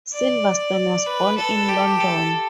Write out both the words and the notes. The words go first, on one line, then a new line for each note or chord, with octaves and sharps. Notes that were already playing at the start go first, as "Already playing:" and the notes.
Silverstone was born in London.
D5
B4
A4
G4
A4